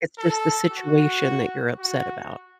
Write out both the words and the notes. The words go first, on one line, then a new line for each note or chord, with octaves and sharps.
It's just the situation that you're upset about.
A4
F#4
F#4